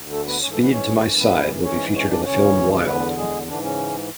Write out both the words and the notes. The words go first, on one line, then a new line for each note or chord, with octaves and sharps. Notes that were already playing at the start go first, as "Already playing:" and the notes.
"Speed To My Side" will be featured in the film Wild.
Already playing: D2 D3
A3 A4
B3 B4
G#2 E3 C#4 C#5
A3 A4
B3 B4
C#4 C#5
B4
F#2 E3 C#4 C#5
B3 B4
G#2 E3 C#4 C#5
C#4 C#5
D4 D5
D2 C#3 E3 C#4 C#5
E2 D3 B3 B4
G#3 G#4
G#2 D3 E3 D4
C#3 C#4